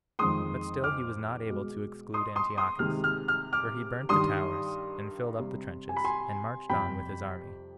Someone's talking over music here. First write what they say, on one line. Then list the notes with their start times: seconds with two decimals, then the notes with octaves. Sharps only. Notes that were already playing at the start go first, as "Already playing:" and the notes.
But still he was not able to exclude Antiochus, for he burnt the towers, and filled up the trenches, and marched on with his army.
0.19 F2 D#3 G#3 C6 D#6
0.84 D6 F6
1.49 B2 G#3
2.14 C6 D#6
2.36 C6 D#6
2.58 C6 D#6
2.79 C3 D#3 G#3 F6
3.04 F6
3.28 F6
3.53 D6 F6
4.09 G2 D#3 G3 C6 D#6
5.39 C3 G3
5.89 G#5
5.96 B5
6.04 G#5 C6
6.69 F2 C3 G3 G5 B5